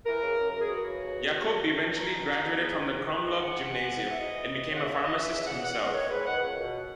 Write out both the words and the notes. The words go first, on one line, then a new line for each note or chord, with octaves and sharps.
Jakub eventually graduated from the Krumlov Gymnasium, and became a pharmacist himself.
E3 A#4
C#3
F#2
F#2 A#4
G#4
E3 F#4
C#3
D#2
D#2
E2
D#3
E2
D#3
E2 D#4
B2
E2
B2
G#2 B3
C#4
D#3
D#4
G#2 D#4
D#3 B4
G#2 D#5
E3 F#5
G#2
E3
G#2
E3
E5
G#2 D#5
E3
E3
C#3
F#5
D#2 E5
E5
D#2
D#5
E3 E5
C#3 E5
E5
E2 F#5
E2 F#5
G#2 D#5
D#3 C#5
G#2 B4
D#3 F#5
C#2
B2